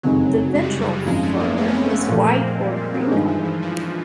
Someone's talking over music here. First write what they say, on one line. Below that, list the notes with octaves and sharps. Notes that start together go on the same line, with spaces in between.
The ventral fur is white or cream-colored.
F#1 F2 C3 D#3 F#3 G#3
G#3
G3
F#3
G3
G#1 F#2 C#3 F3 G#3
A3
A#3
B3
C#4
C4
C4
C#4
A#2 F3 A3 C#4
C4
A#3
G#3
G3
G3
F#3
G2 D#3 F3 G#3
E3
E3
F3
E3